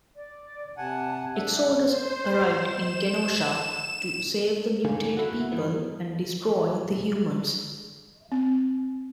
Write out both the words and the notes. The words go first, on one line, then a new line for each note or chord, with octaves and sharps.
Exodus arrived in Genosha to save the mutate people and destroy the humans.
D5
C3 F#5 G#5 A5
D4 E5 F#5
C5
E7
D2 G2 D3 D#3 A#3 G#4
E4 F#4
G2 E3 B3
C4